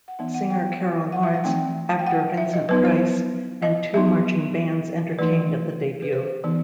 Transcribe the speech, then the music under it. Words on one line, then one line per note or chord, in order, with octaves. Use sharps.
Singer Carol Lawrence, actor Vincent Price, and two marching bands entertained at the debut.
F#5
E3 B3 D#4 E5
F#5
G5
F#5
E5
F#5
E3 A3 C4 D#4 G5
G5
F#5
E5
D#5
F#3 B3 D#4 B4
C5
D#5
F#3 B3 D#4 E5
E3 A3 D#4 B4
B4
C5
E3 B3 D#4